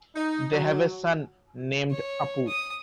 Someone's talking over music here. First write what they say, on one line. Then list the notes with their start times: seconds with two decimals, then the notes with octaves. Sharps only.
They have a son named Appu.
0.15 D#4
0.52 F#3
1.91 C#5
2.48 D#6